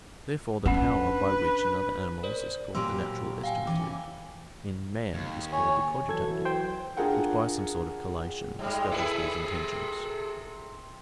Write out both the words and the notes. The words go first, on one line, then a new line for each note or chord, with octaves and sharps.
Therefore the power by which in other animals is called the natural estimative, in man is called the "cogitative," which by some sort of collation discovers these intentions.
C#4 D4 B4 F#5
A#4 C5 D5
A#2 F#3 G4 B5 C6 E6
F5 G5 G#5
E3 C#4 D6
D#2
C#5 G#5
E3 F#3 A4 G#6
C5 G5
D4 F4 G#4 A#4 F#5 G5
G#2 G3 G#3
E4 G#4 A4 B4
C3